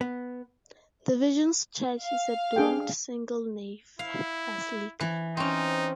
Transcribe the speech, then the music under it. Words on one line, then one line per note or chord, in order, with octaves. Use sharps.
The Virgin's Church is a domed single-nave basilica.
B3
F5
D4 G#4 G5
E4 F5
E3
C4 C#4 D#4